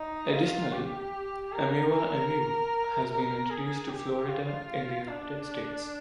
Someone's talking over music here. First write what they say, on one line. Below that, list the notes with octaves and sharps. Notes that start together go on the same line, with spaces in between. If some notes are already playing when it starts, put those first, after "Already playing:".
Additionally, "Ameiva ameiva" has been introduced to Florida in the United States.
Already playing: D#4
F4
G4
A#4
A#4
A#4
G#4
G4
F4
D4